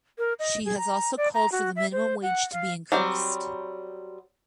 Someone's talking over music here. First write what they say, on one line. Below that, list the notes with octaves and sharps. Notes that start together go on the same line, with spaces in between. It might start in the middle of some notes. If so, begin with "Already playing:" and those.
She has also called for the minimum wage to be increased.
A#4
D#5
G#4
A#5
D5
A#5
F#4
E5
C5
F#5
F5
F#3 G3 C4